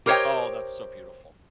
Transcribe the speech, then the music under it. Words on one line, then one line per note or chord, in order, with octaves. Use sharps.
Oh, that's so beautiful.
G4 A#4 C5 C#5 D#5 G5